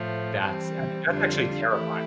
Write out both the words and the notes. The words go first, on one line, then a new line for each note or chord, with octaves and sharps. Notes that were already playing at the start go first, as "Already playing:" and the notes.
That's I mean, that's actually terrifying.
Already playing: A2 F3 A3
E3 G3 C4
F2 D3 G3 D4 F4
E3 A3 E4 G4